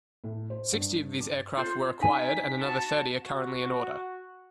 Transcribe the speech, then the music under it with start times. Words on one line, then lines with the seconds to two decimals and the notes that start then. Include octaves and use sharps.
Sixty of these aircraft were acquired and another thirty are currently in order.
0.24 A2
0.50 C5
0.72 G2
1.21 D6
1.57 F4 C5
2.01 D#4 G#5 B6
2.61 F#4 A5
3.23 F#4